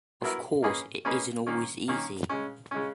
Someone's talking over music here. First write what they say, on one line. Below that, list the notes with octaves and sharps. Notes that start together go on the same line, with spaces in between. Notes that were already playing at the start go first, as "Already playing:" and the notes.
Of course, it isn’t always easy.
F#3 B3 E4 A#4 E5
A#3 C#4 G#4 B4 D#5
A#3 C#4 G#4 B4 D#5
D#3 A#3 C#4
D#3 A#3 C#4
C#3 G#3 C#4
C#3 G#3 C#4